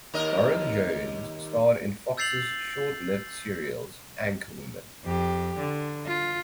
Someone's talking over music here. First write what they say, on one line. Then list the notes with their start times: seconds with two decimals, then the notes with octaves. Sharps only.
Lauren Jones starred in Fox's short lived series "Anchorwoman".
0.14 D#2 A#4 D#5
2.17 E6 G6 A6 C7 F7 F#7
5.04 F2 G4
5.58 D3
6.06 F4